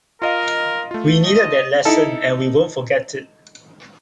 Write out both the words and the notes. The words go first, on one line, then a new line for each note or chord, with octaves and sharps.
We needed that lesson, and we won't forget it.
F4 A#4 D#5 F5
A3 F4
D#5
D#4 E4 A4